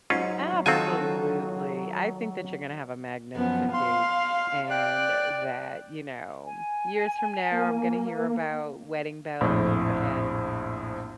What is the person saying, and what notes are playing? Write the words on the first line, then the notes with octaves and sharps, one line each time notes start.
Absolutely. I think that you're gonna have a magnificent date and that, you know, years from now, I'm gonna hear about wedding bells and
G#2 F#3 C#4 F4
D#3 C4 F4 F#4 A4 G#5
F#2 F3 B3
F5 C6
D5 G5 F#6
G#5
A#3
A#1 F2 A2